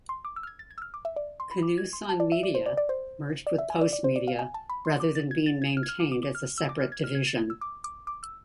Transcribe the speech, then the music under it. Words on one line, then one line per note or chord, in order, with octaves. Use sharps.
Canoe Sun Media merged with Postmedia rather than being maintained as a separate division.
C6
D6
E6
F6
G#6
A6
G#6
E6
F6
D6
E5
D5
C6
B5
D6
G#6
C6
A5
D5
E5
D5
C5
D5
D5
C5
D5
E5
G#5
D5
D5
C5
D5
F5
G#5
A5
B5
C6
D6
A6
G#6
A6
G#6
F6
G#6
F6
D6
D6
D6
F6
E6
D6
F6
G#6
F6
G#6
A6
G#6
E6
D6
D6
D6
E6